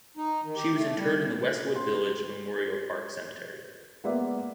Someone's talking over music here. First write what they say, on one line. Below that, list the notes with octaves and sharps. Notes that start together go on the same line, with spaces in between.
She was interred in the Westwood Village Memorial Park Cemetery.
D#4
D#3
G4
A3
G3
C6
G#3 A#3 B3 B4 D5 E5